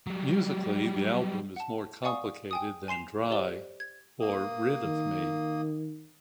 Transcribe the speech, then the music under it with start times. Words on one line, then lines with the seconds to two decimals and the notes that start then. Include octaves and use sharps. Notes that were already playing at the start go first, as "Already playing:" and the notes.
Musically, the album is more complicated than "Dry" or "Rid Of Me".
0.07 F#3 G3
1.56 F#5 A5
2.04 D5 F5 F#5 G#5 C#6 D#6
2.51 G5 G#5 D#6
2.88 G#5 C6 C7 E7 F7
3.30 G4 C5 D5 G7
3.80 G#6
4.20 A#3 D#6
4.85 D#3